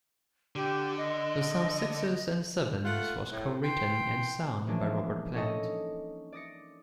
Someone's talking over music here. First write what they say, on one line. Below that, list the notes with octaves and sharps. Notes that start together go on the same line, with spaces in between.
The song "Sixes and Sevens" was cowritten and sung by Robert Plant.
D3 G4
D#5
A3 F4 F#5
A2
E3 G5 C6
E3 F3 G#3 A#3 C#4 D4
C#4 D#4 A4 C#5 D#5
D5 D#6 A#6 C#7